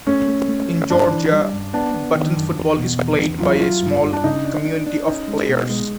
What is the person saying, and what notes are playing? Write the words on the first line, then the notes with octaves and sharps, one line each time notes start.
In Georgia button football is played by a small community of players.
A3 C#4
A3
A3
A3
G2 D4
E3
G3
G2
B3 D4
B3
D#3
F#2
E2
B2
E2
E2
F#3 F4
E4
F#3 F4
G2
G2
D4
C#3 D#4
D4
D4
D4
C#4 D#4
G#3
B2
G#3